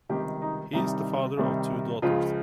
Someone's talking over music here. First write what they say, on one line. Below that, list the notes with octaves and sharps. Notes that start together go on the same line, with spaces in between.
He is the father of two daughters.
C#2 C3 D#3 G3 G4
D#4
C2 C3 D#3 G3 D#4
C2 C3 D#3 G3
C#2 C#3 F3 F4